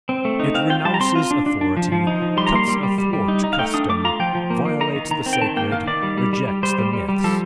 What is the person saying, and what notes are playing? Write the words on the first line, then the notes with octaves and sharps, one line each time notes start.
It renounces authority, cuts athwart custom, violates the sacred, rejects the myths.
C4
A3
D#4
C4 F5
F4 G5
G3 A5
A#5
C4 C6
F4
D4
D4
D4
F3
F3
D#4
F3
G3 C6
A#5
A#3 C6
G3
G3
G3
G3
D#4
D#4
F5
A3 G5
D4 D#6
A3 D6
F4 A#5
F3 G5
F3
A#3
A#3
D#4 A#5
D#3
D#3 A#5
C4
G5
D#3 A5
A#3 G5
D#3 F5
D#3 D5
G3
G3
G3
G3
G3 C5
G3
G3
G3
F3 A4